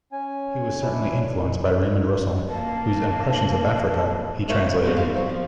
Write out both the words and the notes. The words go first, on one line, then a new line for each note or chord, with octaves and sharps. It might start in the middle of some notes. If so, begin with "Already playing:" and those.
He was certainly influenced by Raymond Roussel, whose "Impressions of Africa" he translated.
C#4 G#5
C#4 D4 E4
A#3 A5
A#3 F4 A#4 C#5 D5 E5
C#3
G#3 A#3 B3 D4 F#4 G4
D#3 E3 G3 F4
F#3 G3 B3 C4
F3